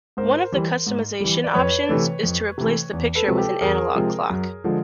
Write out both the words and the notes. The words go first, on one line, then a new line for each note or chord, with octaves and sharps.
One of the customization options is to replace the picture with an analog clock.
G#2 A#4 C5
E3 G3
G#2
E3 G3
D5
F2 B4 C#5
C3 E3 A3
F2
C3 E3 A3
E2
A4 B4
C3 F3 G#3 C4
G4 A4
E2 G#4 A#4
C3 F3 G#3 C4
F#2
D3 F3 G#3